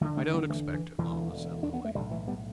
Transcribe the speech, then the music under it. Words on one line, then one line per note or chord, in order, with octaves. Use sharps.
"I don't expect it, mamma," said Lily.
E1 D2 D3 E3 A3
A3 D4
G3 B3
E3 A3
E3
E1 D2 D3 E3
D4
B3
A3
B1 A2 D3 G3
E3 A3
G3 B3